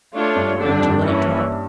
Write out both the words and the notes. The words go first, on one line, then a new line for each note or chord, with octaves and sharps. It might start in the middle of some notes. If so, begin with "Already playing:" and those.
"And you let it drop?"
A3 D4 F4 C#5
G2
D3 G3 D4
G2
F2
G2
E3 A#3 C#4